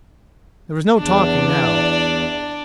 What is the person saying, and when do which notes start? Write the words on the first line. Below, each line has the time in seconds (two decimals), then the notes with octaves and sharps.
There was no talking now.
0.98 E2 D4 D5